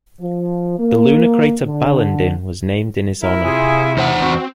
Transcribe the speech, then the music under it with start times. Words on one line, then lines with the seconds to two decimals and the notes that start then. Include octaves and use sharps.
The lunar crater Balandin was named in his honour.
0.20 F3
0.79 A#3
1.65 D3
3.22 E4 A#4
3.44 C3 F4 G#4 G#5
3.97 E2 C5 F#5
4.22 C4 F#4